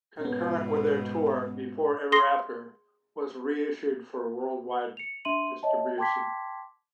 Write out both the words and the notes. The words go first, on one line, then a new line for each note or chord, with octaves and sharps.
Concurrent with their tour, "Before Ever After" was reissued for worldwide distribution.
G#2 B2 B3 C#4
G#4 C6 D#6 A#6 C7
C#7 F7
D4 E5 C6 D#7 F#7
C#5 D#5 E5 A5
G5 A5 C6 D6 G#6 B6